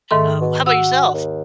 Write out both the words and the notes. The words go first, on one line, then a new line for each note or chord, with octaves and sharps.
um, how about yourself?
G#2 D#3 A3 C6
B2
F#4 E6
D#2